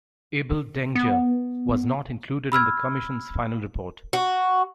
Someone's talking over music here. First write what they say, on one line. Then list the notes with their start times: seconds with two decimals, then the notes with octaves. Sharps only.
Able Danger was not included in the Commission's final report.
0.95 B3
2.52 B5 E6 F6 G#6
4.13 F#4